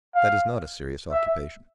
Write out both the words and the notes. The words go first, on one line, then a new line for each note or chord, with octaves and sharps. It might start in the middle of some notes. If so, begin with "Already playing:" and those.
That is not a serious occupation.
F5
E5